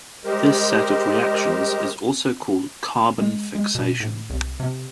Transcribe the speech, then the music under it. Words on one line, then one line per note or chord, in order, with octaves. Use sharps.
This set of reactions is also called "carbon fixation".
G3 G#3 G4 A#4 C5 D#5
G#3
G#3
B2
A2
C2
C3